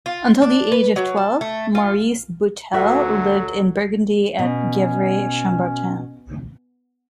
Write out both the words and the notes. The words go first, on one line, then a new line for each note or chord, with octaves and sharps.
Until the age of twelve Maurice Boitel lived in Burgundy at Gevrey-Chambertin.
F4
D4
B4
F#3
A5
A3
F4
D2 F#3 F#4 A4 E5
B2 C#4